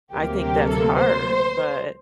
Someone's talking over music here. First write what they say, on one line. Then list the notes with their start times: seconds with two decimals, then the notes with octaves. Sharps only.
I think that's hard, but
0.12 D2 C3 F#3 A#3 G4
0.40 G4
0.68 A4
0.96 C5